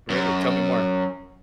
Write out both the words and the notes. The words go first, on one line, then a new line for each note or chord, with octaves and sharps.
Really? Tell me more.
F#2